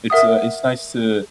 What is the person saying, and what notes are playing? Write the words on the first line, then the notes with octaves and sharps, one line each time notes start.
It's, uh, it's nice to
A#4 E5 F#5 D#6